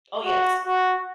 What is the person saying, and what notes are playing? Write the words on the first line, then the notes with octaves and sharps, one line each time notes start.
Oh, yes.
F#4
F#4